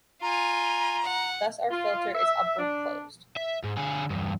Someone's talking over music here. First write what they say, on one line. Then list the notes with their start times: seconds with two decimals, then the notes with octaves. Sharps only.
Thus our filter is upward closed.
0.22 F4 G#5 A#5
1.03 F#5
1.71 F4
2.15 E5
2.58 D4
3.37 E5
3.64 G#2
3.77 D3 G#4
4.10 E2 G2